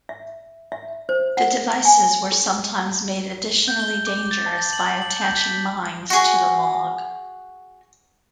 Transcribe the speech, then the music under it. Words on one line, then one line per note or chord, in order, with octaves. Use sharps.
The devices were sometimes made additionally dangerous by attaching mines to the log.
E5
E5
C5
F#5
G#5
G#4
G6
G7
D6
A6
A5
F#7
F#7
G6
B6
F#4 G#4